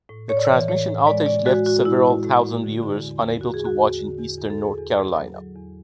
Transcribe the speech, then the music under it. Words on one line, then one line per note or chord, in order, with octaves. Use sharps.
The transmission outage left several thousand viewers unable to watch in Eastern North Carolina.
A2
A2 C#5
D5
C#5
E3
A2 C#5
A2
G#3 D5
A2 D5
G#3 F#4
A2 F#4
G#3 E4
A2
A2
A2
D3
D3
E2
E2
E2 F#4
G#4
E2 F#4
E2
D3
E2
E2
A4
E2 G#4
E2
E2
F#3
F#3
E2